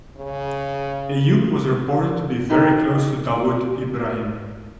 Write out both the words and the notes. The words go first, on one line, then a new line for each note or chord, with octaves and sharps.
Ayoob was reported to be very close to Dawood Ibrahim.
C#3
D#4 A4 A#4 D#5 G5 A#5